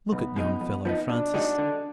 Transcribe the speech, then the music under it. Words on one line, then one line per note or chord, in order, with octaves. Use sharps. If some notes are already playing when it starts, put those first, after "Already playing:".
Look at yon fellow, Francis!
B1 B3
B2 G#3 D#4
F2
F3 B3 D#4
B2 D4
G#3 D#4 F#4
D3